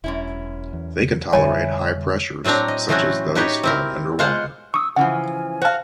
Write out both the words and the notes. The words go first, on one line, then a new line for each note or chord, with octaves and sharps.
They can tolerate high pressures, such as those found under water.
E1 F#2 C#4 E4
E2
F2 B2 D3 G3 E4 C#5 G#5
A2 F#3 C4 D4 A#5
D#5
E3 F#3 A3 C4 C#4 F#4
D#4 F#4 G4 B4 C#5 D#5
C4 E4 A#4
G#3 B3 F4 C5 F#5
C#6 D#6 E6
C#3 E3 F3 F#5 G#5
F#4 C5 F5 A5